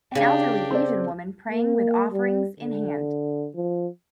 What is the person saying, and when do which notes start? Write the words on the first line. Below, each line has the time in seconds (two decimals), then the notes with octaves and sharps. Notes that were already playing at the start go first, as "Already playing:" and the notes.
An elderly Asian woman praying with offerings in hand.
0.15 C#3 D4 G4 G#5
0.71 C4 D5
1.51 A#3
2.13 G3
2.60 D3
3.56 F3